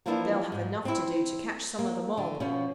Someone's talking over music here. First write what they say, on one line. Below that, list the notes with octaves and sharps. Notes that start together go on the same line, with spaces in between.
They'll have enough to do to catch some of the mob.
E3 F3 A#3 D4 E4 F4
G#2
C4 E4
A#3
D3
B2 F3 C#4